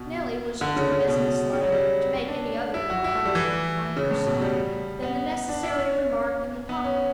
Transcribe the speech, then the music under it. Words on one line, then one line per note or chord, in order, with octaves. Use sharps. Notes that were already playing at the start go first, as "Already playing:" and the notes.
Neelie was too business-like to make any other remark, on her side, than the necessary remark in the pocket-book.
Already playing: B2
D3
C#3
C#3
B2
C#3
F#3
G3
C#4
D4
E4
F#4
E4
A3
G3
E3
C#3
A2
B2
G3
B3
D4
E4
C#4
B3
C#4